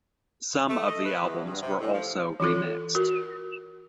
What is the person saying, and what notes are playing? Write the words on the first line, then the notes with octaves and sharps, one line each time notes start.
Some of the albums were also remixed.
A3
D#5
B4
E2
G2
C3
A2
F3
E3 E4 F4 A4
F#4 A#4